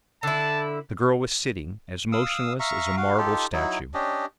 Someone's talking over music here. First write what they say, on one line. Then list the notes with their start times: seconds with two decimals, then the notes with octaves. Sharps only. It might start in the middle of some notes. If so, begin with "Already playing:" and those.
The girl was sitting as motionless as a marble statue.
0.23 D3 E4 A5
2.12 F5 D#6 E6
2.60 E5 F5 A#5 C#6
2.97 F#4 F5
3.18 D#4 F4 G4 A4
3.53 F#3 D#4 E4
3.94 C#4 D4 G4 D#5